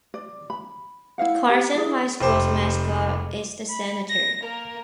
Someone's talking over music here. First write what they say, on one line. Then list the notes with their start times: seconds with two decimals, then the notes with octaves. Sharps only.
Carson High School's mascot is the Senator.
0.14 D5
0.50 B5
1.18 E4 D#5 F5 F#5
1.49 G4 F#5
1.75 E4 G#4
2.20 F1 G4 C5 D6
3.70 B5
4.10 A#6
4.41 A#3 A#4